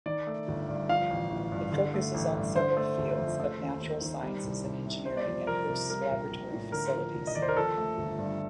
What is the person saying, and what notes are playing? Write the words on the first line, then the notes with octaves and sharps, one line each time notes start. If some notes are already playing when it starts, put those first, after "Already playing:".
It focuses on several fields of natural sciences and engineering and hosts laboratory facilities.
D#3 D5
A3
G1
G2
F3 F5
A1
A1
G2
D3
A3
A1
G2
D3 C5
A3
G1
F2
A3
D#2
D#2
D#3
G3
C2
C2
C3
G3 C5
D5
F2 C5
F2 A#4
C3
G3 A#4
A#1
A#1
A2
D3 A#4
F3
F1
D#5
D#2 D5
C5
A#4
F3 A4
A3
G1
G2